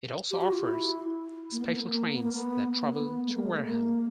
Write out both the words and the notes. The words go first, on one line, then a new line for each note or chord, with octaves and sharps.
It also offers special trains that travel to Wareham.
G4
F#4
F4
E4
A#3
B3
A#3
B3
A#3
B3
A#3
B3
B3
A#3
B3
A3
A#3
G#3
A3
A#3